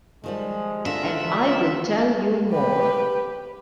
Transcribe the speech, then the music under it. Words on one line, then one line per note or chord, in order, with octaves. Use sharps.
And I will tell you more.
D#3 F3 G3 G#3
D3 D4 F4 A#4 E5
G4 B4